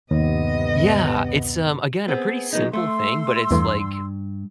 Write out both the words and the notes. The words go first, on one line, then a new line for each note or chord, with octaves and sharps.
Yeah, it's, um, again, a pretty simple thing, but it's like,
G1 D#2 C3 B3 D#5
B3 C4 G#4
F#3 B3 D#4
A3 C6 E6
E2 G2 E3 A3